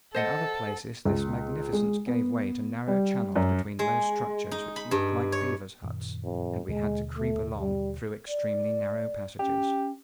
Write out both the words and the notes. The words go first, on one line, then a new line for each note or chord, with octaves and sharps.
In other places this magnificence gave way to narrow channels between low structures which looked like beaver's huts, and we had to creep along through extremely narrow passages.
A4 C5 D#5 F#5
C#2
G#3
B3
G3
F#2
G#3
D#4
B5
G2
C#5
F#2 A#2 D#3
F2
D#2 B2 D3 G#3
A3
G3
D5
C#4 G4